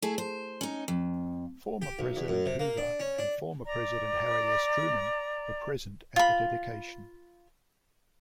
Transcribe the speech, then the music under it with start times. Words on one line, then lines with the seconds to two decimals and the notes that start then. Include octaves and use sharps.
Former President Hoover and Former President Harry S. Truman were present at the dedication.
0.02 A3 E4 G#4
0.18 C5
0.61 C#4 D#4
0.88 F2
1.82 G4
1.99 B1
2.16 E2
2.28 F#2
2.46 C3
2.59 A#3
2.77 D4
3.00 C#4
3.18 D4
3.65 D5 A#5
6.16 F4 B5